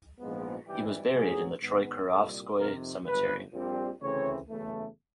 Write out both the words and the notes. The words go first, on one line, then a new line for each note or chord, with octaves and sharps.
He was buried in the Troyekurovskoye Cemetery.
A#1 G#2 F3 G#3 B3
G#1 G#2 E3 G3 G4
B1 A2 F#3 B3 G#4
G#2 D#3 G#3 B3
C2 A#2 G3 A4
F2 C3 D#3 A#4
G1 F#2 C#3 B4
A#1 A#2 G3 C4
D2 C#3 E3 A3 C4 C#5
F#1 E2 C#3 E3 A3